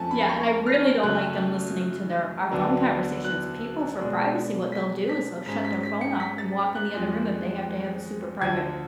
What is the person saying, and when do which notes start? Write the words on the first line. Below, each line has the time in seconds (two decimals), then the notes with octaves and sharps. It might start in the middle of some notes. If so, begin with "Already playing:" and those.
Yeah, and I really don't like them listening to their our phone conversations. People for privacy, what they'll do is they'll shut their phone off and walk in the other room if they have to have a super private,
Already playing: F2 F3 A3 C#4 G#5 A5
0.11 B5
0.29 C#6
0.66 F6
1.03 F#2 C#3 F#3 A3 F#6
2.51 D2 D3 F#3 B3 D4
3.24 F#6
3.98 B2 G#3 B3 D4
4.72 B6
5.09 B6
5.46 G#2 G#3 C#4 B6
5.65 B6
5.83 B6
6.01 C#7
6.20 B6
6.38 A6
6.75 F#6
6.94 F2 F3 G#3
8.41 D2 D3 F3 G#6